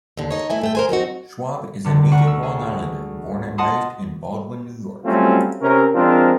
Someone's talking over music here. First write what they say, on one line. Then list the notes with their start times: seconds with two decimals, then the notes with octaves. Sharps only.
Schwab is a native Long Islander, born and raised in Baldwin, New York.
0.17 D#2 D3
0.31 D#4 C#5
0.50 A3 E4 G#5
0.61 G#2 A3 G5
0.75 A#4 C5 G#5
0.89 F#3 C4 D#4 F#4
1.84 C#2 D3
2.12 D2 F#5 C#6
2.27 E6
2.43 G#4
3.58 F4 D#5 F#5 A5 C6 D#6
5.05 F#3 G3 A3 C4 C#4 F4
5.62 C3 C#4 A#4
5.95 F3 G#3 C4 D4 F4 A#4